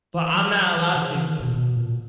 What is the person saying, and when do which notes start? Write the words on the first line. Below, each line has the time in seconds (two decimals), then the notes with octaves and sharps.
But I'm not allowed to.
0.14 E3
0.34 F#3
0.75 E3
0.95 C#3
1.15 E3
1.29 D#3
1.42 B2
1.56 B2
1.76 A#2